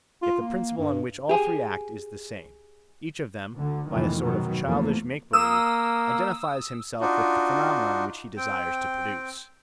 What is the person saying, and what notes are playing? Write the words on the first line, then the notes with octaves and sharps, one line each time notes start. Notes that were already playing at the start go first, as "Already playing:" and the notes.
Yet the principle on which all three act is the same; each of them, by a sort of childish make-believe, identifies himself with the phenomenon which he desires to produce.
F4
A#3
G2
G4 G#4
D2 D3
F1 C#2 A#2 D#3 E3
G#2 B2 D#3 F#3
E2 F3 A3 A#3
A#3 D#6 E6
D4 D#4 F4 F#4
C4 G5